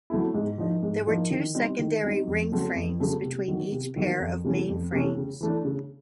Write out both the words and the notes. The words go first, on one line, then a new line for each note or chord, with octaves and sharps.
There were two secondary ring frames between each pair of mainframes.
F#3 A3 C4 E4
G#2
F3 A#3 D#4
G#2
F3 A#3 D#4
D#3
G3 C4 D#4
D#3
G3 C4 D#4
F2
C#3 F#3 A3 C4
F2
C#3 F#3 A3 C4
C3
D#3 F#3 A#3
C3
D#3 F#3 A#3
F2
C3 E3 A3 C#4
F2
C3 E3 A3 C#4
C#3
E3 A3 D4
C#3